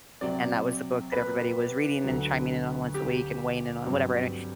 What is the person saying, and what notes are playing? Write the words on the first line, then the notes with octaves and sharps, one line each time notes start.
and that was the book that everybody was reading and chiming in on once a week and weighing in on whatever, and,
C3 F#3 C4 D5
B4
D2 D3 F#3
G4
G2 F#3 C4